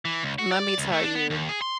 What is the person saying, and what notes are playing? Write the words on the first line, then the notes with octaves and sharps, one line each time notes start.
Let me tell you,
E3
C#2
F#4
D5
C#2
A3
D4
B3
D#2
G#4
C6